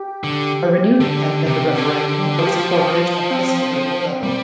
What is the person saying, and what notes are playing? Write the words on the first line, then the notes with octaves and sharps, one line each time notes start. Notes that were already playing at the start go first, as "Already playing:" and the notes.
A renewed attempt at the referendum was supported at this political level.
Already playing: G4
D3
D3
C3
D3
D3
F3 F4
G4
F4
G4
F4
G4
F4
C4
G3